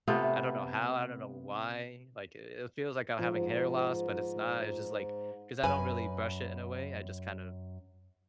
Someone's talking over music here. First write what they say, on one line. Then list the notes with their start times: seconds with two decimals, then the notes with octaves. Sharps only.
I don't know how, I don't know why, like i it feels like I'm having hair loss, but it's not, it's just, like 'cause I don't really brush it in a way, I just, kind of
0.08 C3 A3 B3 F4
3.19 G#2 F3
5.63 F#2 B4 G#5